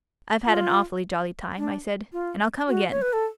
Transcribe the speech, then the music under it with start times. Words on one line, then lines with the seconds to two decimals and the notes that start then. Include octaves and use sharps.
"I've had an awfully jolly time," I said, "and I'll come again."
0.47 F4
1.58 D4
2.13 F4
2.68 F#4
2.91 C#5
3.02 B4
3.13 A4